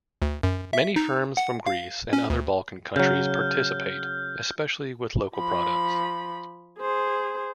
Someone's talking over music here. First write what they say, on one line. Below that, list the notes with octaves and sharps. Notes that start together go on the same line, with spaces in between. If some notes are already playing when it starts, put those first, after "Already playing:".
Many firms from Greece and other Balkan countries participate, especially with local products.
D2
F#2
E5
D#4
F#5
F5
C#4
D2
C#3 F#3 F6 G6
F3 B5
G#4 C5